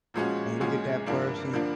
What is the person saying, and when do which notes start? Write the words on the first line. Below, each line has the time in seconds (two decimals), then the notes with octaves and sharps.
and look at that person
0.14 A#2 F3 G#3 C#4 F#4
0.60 A#2 F3 G#3 C#4 F#4
1.06 G2 D3 F3 A#3 D4
1.53 D3 F3 A#3 D4